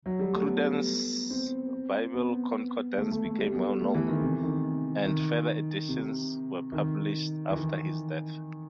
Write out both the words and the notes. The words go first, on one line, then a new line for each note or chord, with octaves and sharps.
Cruden's Bible Concordance became well-known, and further editions were published after his death.
F#3
G3
A3
B3
C4
B3
A3
A3
A3
G3
B3
B3
A3
E3
D#3
C3
D#3
D#3
C3
D#3
E3
D#3